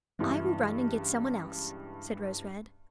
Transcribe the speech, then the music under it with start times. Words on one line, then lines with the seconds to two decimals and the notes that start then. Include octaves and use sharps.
"I will run and get someone else," said Rose-Red.
0.19 C#2 G2 E3